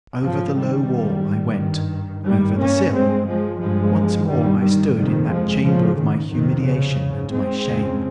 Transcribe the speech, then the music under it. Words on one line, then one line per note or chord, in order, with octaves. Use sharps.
Over the low wall I went, over the sill,--once more I stood in that chamber of my humiliation and my shame.
G#2 C#3 F3
D#3 G3
G#2
G2 D#3
G2 D#3 G3
A#3 C#4
G2 G#3 C4
F3 G#3
G2 F3 G#3
G2 D#3 G3
D#3 G3
F2 C3 D#3 G3
F3 G#3
G#2 C#3 F3
D#3
F2 C3 D#3
C#3
G#2
G#3 C4
F2 C#3